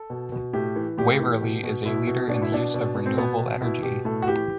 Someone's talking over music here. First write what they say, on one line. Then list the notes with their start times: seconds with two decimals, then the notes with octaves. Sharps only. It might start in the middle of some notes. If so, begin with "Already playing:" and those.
Waverly is a leader in the use of renewable energy.
Already playing: A4
0.10 B2
0.32 B2
0.53 A2 G4
0.76 E3
0.98 A2 G4
1.20 E3
1.41 B2
1.63 B2
1.85 B2 E4
2.07 B2
2.29 B2 D4
2.42 E4
2.52 B2 D4
2.74 B2
2.95 B2
3.06 C4
3.17 B2 B3
3.39 B2
3.62 B2 E4
3.83 B2 G4
4.05 A2 A4
4.22 F#4
4.28 E3 G4